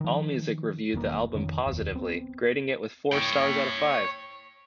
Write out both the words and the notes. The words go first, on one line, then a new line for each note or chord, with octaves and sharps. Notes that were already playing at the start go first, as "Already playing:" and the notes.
Allmusic reviewed the album positively, grading it with four stars out of five.
D#3 F3
E1 D#3 A#3
F1 D#3 C#4
F1 D#2
B3 C4
C#5 G5